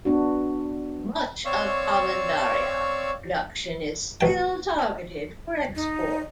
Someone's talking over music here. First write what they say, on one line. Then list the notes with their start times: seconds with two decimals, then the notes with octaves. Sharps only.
Much of Commandaria production is still targeted for export.
0.05 B3 D4 F#4
1.45 C4 C#5 D5 F5 C#6 E6
4.21 A1 G5
5.76 D#4